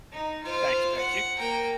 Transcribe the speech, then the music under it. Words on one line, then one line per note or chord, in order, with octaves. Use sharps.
Thank you, thank you.
D#4
F4 C5
F#5
A#3 G5